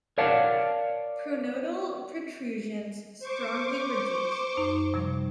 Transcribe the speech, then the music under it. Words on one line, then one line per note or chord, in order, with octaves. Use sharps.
Pronotal protrusions strongly reduced.
A#4 C#5 D5 F5 F#5 A5
C5 C#6 D6
F#2 D#4
C3 F3 G3